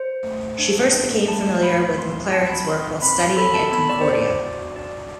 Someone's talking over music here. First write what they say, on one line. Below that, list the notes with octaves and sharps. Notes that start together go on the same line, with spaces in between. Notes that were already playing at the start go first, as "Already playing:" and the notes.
She first became familiar with McLaren's work while studying at Concordia.
Already playing: C5
A3
D4
D4
A3 A5
A3 B5
C4 C6
C4 A5
B5
C4 C6
C4 B5
A4 B5
A5
B3 B5
D5
D4 C5
D5
F#4
D4 D5